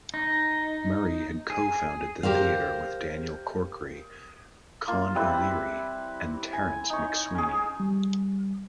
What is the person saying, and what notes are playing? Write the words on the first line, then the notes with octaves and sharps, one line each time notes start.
Murray had co-founded the theatre with Daniel Corkery, Con O'Leary and Terence McSwiney.
D#4
G#4
G4 A#4 C5 F5
A#3 F4
G3 C4 E4 B4
G#5
D#4 C#5
C#4 G#4
G3